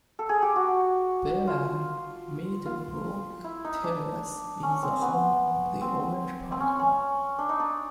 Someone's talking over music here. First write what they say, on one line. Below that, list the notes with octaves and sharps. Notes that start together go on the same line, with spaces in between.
Bellair-Meadowbrook Terrace is the home of the Orange Park Mall.
A4
G#4
G4
F#4
F4
F4
E4
D#4
D4
C#4
C4
B3
C4
C4
C#4
C#4
D4
D#4
D4